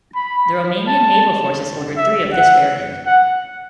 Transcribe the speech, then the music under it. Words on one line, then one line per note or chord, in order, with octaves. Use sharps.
The Romanian Naval Forces ordered three of this variant.
B5
A5
E5
F#5
F#5